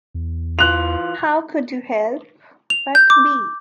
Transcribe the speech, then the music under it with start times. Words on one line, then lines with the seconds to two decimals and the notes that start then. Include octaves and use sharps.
How could you help but be?
0.14 E2
0.59 E3 F4 F#6 F7
2.70 F7
2.95 G6
3.10 D6